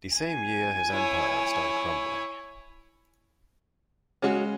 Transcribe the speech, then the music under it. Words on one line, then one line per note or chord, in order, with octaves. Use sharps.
The same year his empire started crumbling.
G#5
E4 C#5
C#3 G#3 C#4 F#4